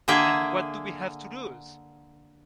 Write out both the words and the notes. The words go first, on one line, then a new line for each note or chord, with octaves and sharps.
And what do we have to lose?
D3 A#3 G#4 E5 G5